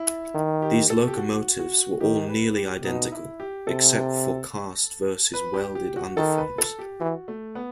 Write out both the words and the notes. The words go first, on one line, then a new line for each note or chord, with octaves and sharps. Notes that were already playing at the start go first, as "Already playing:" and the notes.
These locomotives were all nearly identical, except for cast versus welded underframes.
Already playing: E4
D#3
G4
A4
G4
F#4
F#4
D#3 G4
B4
G4
B2 D#4
E4
G4
C3 A4
B4
G4
G4
F#4
D#3 A4
B4
A4
G4
E3 F#4
A3
B3